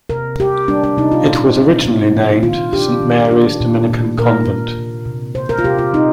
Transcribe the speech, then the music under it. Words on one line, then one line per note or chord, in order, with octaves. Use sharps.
It was originally named Saint Mary's Dominican Convent.
C3 A#4
C3 G4
G3 D4
D4
C3 D#4
F4
A#2
C4
A#2
F3
D#3 F4
D4 G4
D#3
D4
A#2
A#2
A#2 A#4
A#2
C3
C3
C3 C5
A#4
F4
C3 G4
F4
C4 D#4